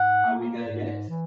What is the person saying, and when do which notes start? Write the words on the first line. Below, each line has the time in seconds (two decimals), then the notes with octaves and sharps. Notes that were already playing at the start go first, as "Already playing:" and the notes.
Are We There Yet?
Already playing: G#2 F#5
0.26 A#3
0.68 G#2
1.09 E3